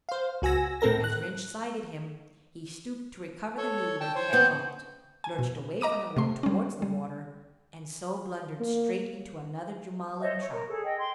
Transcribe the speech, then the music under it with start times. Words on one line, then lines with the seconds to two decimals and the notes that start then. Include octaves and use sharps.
As Rynch sighted him, he stooped to recover the needler he had dropped, lurched away from the rock towards the water, and so blundered straight into another Jumalan trap.
0.09 C5 F5
0.42 C#2 F#4 G#5 E6 A#6
0.81 A2 C4 A4 A#4 A#6
1.04 F#6
3.58 A4 C#5
4.01 G5 A5
4.15 C5 C#5
4.33 B3 C4 G6
5.24 G#5
5.39 B2
5.81 D#5 A#5 D6 D#7
6.17 C3 A3 C6
6.43 G3 C#4
6.82 G3
8.60 A#3
10.21 C5 C#5 D#5 E5
10.40 C#5 C#6
10.52 A#4
10.68 G#4 A4
10.84 D#5 G5
10.99 G5 C6